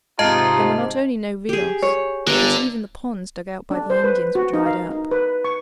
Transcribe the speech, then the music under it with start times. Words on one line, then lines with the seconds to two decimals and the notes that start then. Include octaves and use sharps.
There were not only no RIOS, but even the ponds dug out by the Indians were dried up.
0.19 G#2 C3 D#4 F4 D#5 A5
1.49 G4 G#4
1.82 C#5
2.27 G1 D3 A#4
3.71 D4
3.90 C5
4.04 B4
4.35 F#4
4.54 D#4
4.66 F5
4.91 D#4
5.11 B4
5.44 C#6